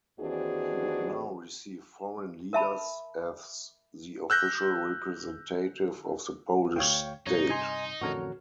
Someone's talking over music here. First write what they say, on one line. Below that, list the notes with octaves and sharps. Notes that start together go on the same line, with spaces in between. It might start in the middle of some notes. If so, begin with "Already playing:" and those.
He would now receive foreign leaders as the official representative of the Polish state.
D#2 E3 C4 D4 F#4 G#4
A#4 E5 A5 B5
E6 F#6 G6 A#6
D2 C#5 F5 G5
G2 C3 D#4 C#5
D#5 G#5 C6
A1 F2 D3 F#4 A#4 C#5